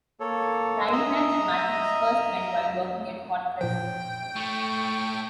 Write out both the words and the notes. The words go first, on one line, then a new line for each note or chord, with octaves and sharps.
Linehan and Mathews first met while working at "Hot Press".
A#3 A4 C#5
D#5 E5 A#5 D#6
A#2 F3 G5
A2 A3 C#6